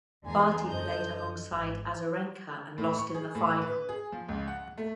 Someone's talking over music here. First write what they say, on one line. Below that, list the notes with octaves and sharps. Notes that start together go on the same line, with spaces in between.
Barty played alongside Azarenka and lost in the final.
E2 D3 G#3 G#5 A#5 C7
F#2 D4 A4 C5 D#5 G6
G#1
A2
C#6
G#4
A2
B4
G#4
F3
C#2
F#5
A3